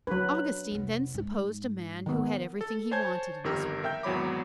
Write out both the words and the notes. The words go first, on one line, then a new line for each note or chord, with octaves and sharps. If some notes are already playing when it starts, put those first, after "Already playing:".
Augustine then supposed a man who had everything he wanted in this world.
F#3 D4 B4
F1 B3
G#2
D#3 B3
A4
C5 C#5 G#5 A5 G6 G#6
G1 F2 D#3 G4 A#4 E6
A#4 E5 G5 G6
G#1 E2 F#3 C#5 B5 D6